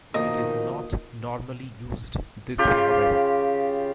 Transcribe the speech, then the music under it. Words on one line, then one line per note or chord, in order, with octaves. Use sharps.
It is not normally used this way however.
B2 D#3 F3 A#3 D#5
C#3 F4 G4 B5